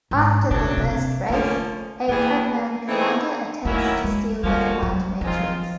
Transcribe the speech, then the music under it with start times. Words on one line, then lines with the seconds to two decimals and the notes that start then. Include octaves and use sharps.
After the first race, a Kragnan commander attempts to steal the Command Matrix.
0.11 G#2
0.50 C#3 F#3 A3 D4
0.77 C3
1.30 D3 F3 A3 A#3 C#4
2.08 E3 G3 A#3 B3 E4 G#4
2.86 E3 A3 C4 D#4 G#4
3.65 D#3 F#3 A3 A#3 C#4 E4
4.04 G#3
4.43 D3 F3 G3 A#3 C#4 F#4
4.83 F#3
5.21 D#3 F3 G#3 C4 F4